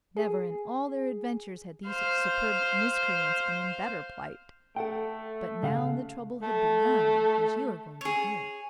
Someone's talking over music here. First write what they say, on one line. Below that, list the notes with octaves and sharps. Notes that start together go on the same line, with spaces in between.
Never in all their adventures had these superb miscreants been in better plight; but now the trouble had begun, as you are going to hear.
G#4
C5 F5
A3 A4 F#5 G5
C#3 F5 F#5
A3
G#4 C#5